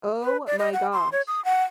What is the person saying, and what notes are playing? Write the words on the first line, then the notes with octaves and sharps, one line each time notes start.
Oh my gosh.
B4
D5
D#5
F#5
C6
C#5
D#6
F#5